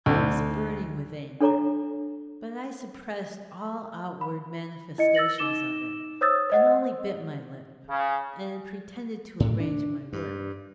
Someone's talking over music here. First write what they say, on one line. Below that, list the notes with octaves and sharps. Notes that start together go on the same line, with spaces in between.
I was burning with anger; but I suppressed all outward manifestations of it, and only bit my lip and pretended to arrange my work.
D2 D3
D4 A4 C#5 A#5 D6
B5
E4 D#5 C#7
E6 A6 A#6 F#7
D#4 D6 E7 G7
C5 C#5 D#6 E6 A6
C5 D#5 F#5
C#3
A2
D4
G2